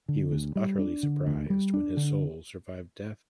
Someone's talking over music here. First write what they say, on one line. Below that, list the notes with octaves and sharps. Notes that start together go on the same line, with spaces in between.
He was utterly surprised when his soul survived death.
D3
D2
G3
D4
D3
D2
G3
D4
D3